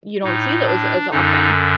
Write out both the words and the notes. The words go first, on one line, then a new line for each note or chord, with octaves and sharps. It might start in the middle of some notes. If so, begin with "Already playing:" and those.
you don't see those as often,
A2 D#4
D4
F#2 D3 D#4